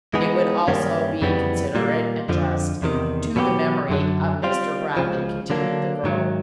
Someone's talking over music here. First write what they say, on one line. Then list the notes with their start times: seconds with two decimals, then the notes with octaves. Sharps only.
"It would also be considerate and just to the memory of Mr. Bradley," continued the girl.
0.14 E3 G#3 B3 D#4 G#4
0.68 G2 D#3 G3 A#3 C#4
1.21 F2 C#3 E3 G3 B3
1.75 A#2 G3 A#3
2.29 F2 D3 F3
2.82 E2 C3 D#3
3.36 B2 F#3 B3 E4 G4
3.89 F#2 D3 F#3
4.43 G3 C4 F4
4.97 C#2 C#3 F3
5.50 D3 F#3 A#3 D4
6.04 G#2 D#3 F#3